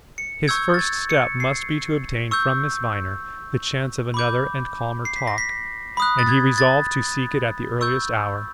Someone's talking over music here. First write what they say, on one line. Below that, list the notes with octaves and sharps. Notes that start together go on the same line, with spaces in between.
His first step must be to obtain from Miss Viner the chance of another and calmer talk; and he resolved to seek it at the earliest hour.
C#7
C#6 E6 G6 G#6
A6
G#6
C#7
C7
C#6 E6 G6
B5 D6 G6
C7
B6
A#6
B6
B5 D#6 F#6
A6
G#6
A6
C#6 E6 G6